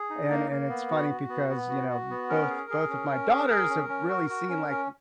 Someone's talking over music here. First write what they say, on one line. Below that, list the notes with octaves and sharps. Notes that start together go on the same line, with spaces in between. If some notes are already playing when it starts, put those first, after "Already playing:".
and and it's funny because, you know, both both of my daughters have really seen, like,
Already playing: G#4
D#4
A#3
A#3
B3
F#4
F#4
B3
B3
F#4
F#4
B3
C#4 A#4
G#4
G#4
C#4
C#4
G#4
G#4
C#4
C#4
F#4
F#4
C#4
C#4